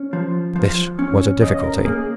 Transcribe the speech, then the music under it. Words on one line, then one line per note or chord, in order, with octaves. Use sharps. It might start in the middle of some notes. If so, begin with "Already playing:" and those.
This was a difficulty.
Already playing: C#4
F3
F3
C#4
C#3 D#5
A#4
A#3 G#4